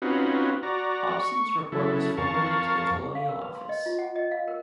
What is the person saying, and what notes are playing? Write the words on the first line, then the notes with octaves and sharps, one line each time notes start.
Hobson's report was forwarded to the Colonial Office.
C4 C#4 D#4 F4 F#4 B4
F#4 D5 A#5
C#6
C#3 F#3 E4 A4
F2 A#4 F5 A5 C#6
G4
F5
A#4
B4
C6
D#5
F4
F#5
D#5
F5
A#4